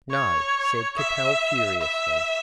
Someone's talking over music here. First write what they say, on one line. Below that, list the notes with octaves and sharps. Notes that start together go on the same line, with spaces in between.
"No," said Capel, furiously.
C#5
E5
E5